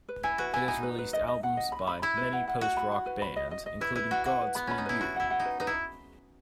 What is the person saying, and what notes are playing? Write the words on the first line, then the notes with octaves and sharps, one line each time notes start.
It has released albums by many post-rock bands, including Godspeed You!
B4
E4 G#5
F#4 B4
E4 G#5
D#4 G#5
B4
B4
D#5
D#5
F#5
D#5
B5
B5
E4 B5
B4
F#5
F#5
F#4 F#5
B5
F#5
B4
B5
D#5
D#5
D#5
E4 B4
E4 B4
F#4 F#5
F#4 F#5
B4
B3 B5
C#4 B5
D#4
E4 B4
F#4 B5
E4 F#5
F#5
D#4
B4
D#4 B4
E4